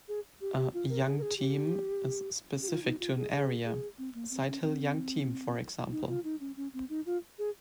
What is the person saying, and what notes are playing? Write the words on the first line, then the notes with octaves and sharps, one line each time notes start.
A "Young Team" is specific to an area: "Sighthill Young Team", for example.
G#4
G4
G4
F4
A#4
G#4
A#4
G#4
G4
G4
F4
D#4
F4
G#4
G#4
G#4
C4
A#3
C4
C#4
C4
D#4
F4
D#4
C#4
C#4
C4
D#4
F4
G#4